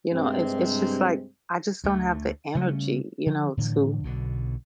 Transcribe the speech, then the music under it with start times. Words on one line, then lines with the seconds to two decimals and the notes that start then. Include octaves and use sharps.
you know, it's it's just, like, I just don't have the energy, you know, to
0.12 G2 C3 G#3 C4
1.84 D2 G#3 A3
2.55 C#3 G3 A3 C#4
3.26 D3 F3
3.57 A2 D3 E3 F3
4.03 B1 B2 D3